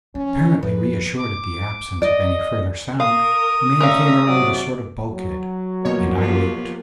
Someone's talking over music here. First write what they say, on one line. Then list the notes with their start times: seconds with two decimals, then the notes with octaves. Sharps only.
Apparently reassured at the absence of any further sound, a man came around a sort of bulkhead--and I leaped.
0.15 F3 C#4
0.63 F2 B4
1.17 D6
2.02 D5 D#5
3.00 A#4 F5 D#6
3.80 A3 C#4 D4 A#4 E5 F5 A#5
4.27 G#2 C3 F#3 D5
5.10 F#3
5.85 B2 F3 A#3 C#5
6.16 B3 F4 G4